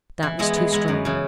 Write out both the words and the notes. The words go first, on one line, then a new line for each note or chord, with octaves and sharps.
That was too strong.
E3
G#3 B3 E4
E3
G#3 B3 E4
F#2
C#3 E3